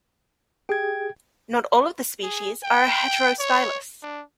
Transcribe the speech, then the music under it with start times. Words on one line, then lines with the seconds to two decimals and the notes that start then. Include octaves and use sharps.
Not all of the species are heterostylous.
0.69 G4 G#4 G5 G#6
2.23 G#4
2.64 G5
3.39 C#5
4.02 D4